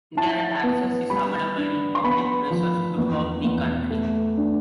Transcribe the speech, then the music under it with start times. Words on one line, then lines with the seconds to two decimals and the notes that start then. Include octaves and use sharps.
Internet access is available in public places throughout the country.
0.17 E4 A5
0.63 B3
1.10 G3 B5
1.58 D4
1.95 C6
2.04 B3 B5
2.50 F3
2.98 E2
3.44 E2
3.90 A3
4.38 D4